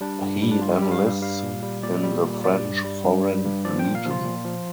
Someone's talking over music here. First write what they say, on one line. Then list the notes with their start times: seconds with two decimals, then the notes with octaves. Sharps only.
He enlists in the French Foreign Legion.
0.01 G3 D4
0.21 G2
0.42 G3
0.51 D4
0.62 G2 F4
0.77 G4
0.82 G3
0.91 F5
1.02 G2
1.07 F5
1.22 G3 F5
1.43 A#2
1.63 G3
1.83 A#2 D5
2.03 G3
2.24 A#2
2.44 G3 D5
2.64 G2
2.84 G3
3.04 G2
3.24 G3
3.45 G2
3.65 F3 D5
3.79 G5
3.84 A#2
3.95 F5
4.05 F3
4.10 F4
4.25 A#2
4.45 F3